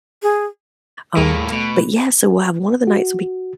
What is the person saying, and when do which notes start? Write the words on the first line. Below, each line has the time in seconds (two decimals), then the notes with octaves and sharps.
Um, but yeah, so we'll have one of the nights will be
0.23 G#4
1.17 D#2 A2 G3 A#3 G#4
1.52 B2 A3
2.87 F#4